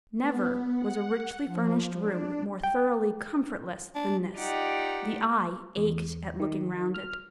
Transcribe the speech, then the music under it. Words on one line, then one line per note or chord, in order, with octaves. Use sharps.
Never was a richly furnished room more thoroughly comfortless than this--the eye ached at looking round it.
B3
F#5
F3
D4
G5
D4
D#4 F4 G4 D5 F#5 G5
E2
D#3
F6